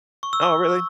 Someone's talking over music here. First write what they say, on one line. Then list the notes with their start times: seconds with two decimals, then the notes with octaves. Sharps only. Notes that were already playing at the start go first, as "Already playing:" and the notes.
Oh, really?
0.23 C#6
0.33 E6
0.42 C#6